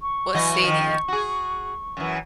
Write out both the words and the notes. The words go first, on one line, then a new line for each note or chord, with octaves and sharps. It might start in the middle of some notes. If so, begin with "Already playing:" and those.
What city?
C#6
E3 F#3 D#5
D#3 F3
F#4 G#4
F#2 E3